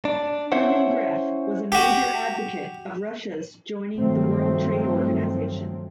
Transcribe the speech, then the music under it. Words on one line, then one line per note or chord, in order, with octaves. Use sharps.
Herman Gref was a major advocate of Russia's joining the World Trade Organisation.
D4
C#4 E4 C5 C#5 E5 F#5
F#4 G4
G2 D#3 F3 F#3 A3 C4